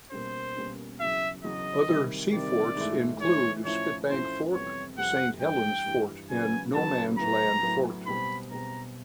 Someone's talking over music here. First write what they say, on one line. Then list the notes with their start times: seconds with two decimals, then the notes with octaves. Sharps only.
Other sea forts include Spitbank Fort, Saint Helens Fort and No Man's Land Fort.
0.11 B2 G3 A#3 C#4 C5
0.57 B2 G3 A#3 C#4
1.00 E2 C#3 F#3 E5
1.44 E2 C#3 F#3 D#5
1.88 C3 D#3 G3
2.32 C3 D#3 G3 D5
2.76 G#2 E3 A3
3.21 G#2 E3 A3 C#5
3.65 A2 F3 A3 C#4 E4 C#5
4.10 A2 F3 A3 C#4 E4 C5
4.53 F2 C3 E3 G3 B3 C#5
4.98 F2 C3 E3 G3 B3 F#5
5.41 G2 E3 G3 G5
5.86 G2 E3 G3
6.30 C#3 F#3 B3 G#5
6.74 C#3 F#3 B3 A5
7.19 A2 F#3 B3 A#5
7.63 A2 F#3 B3
8.07 B2 G3 C4 B5
8.51 B2 G3 C4 A#5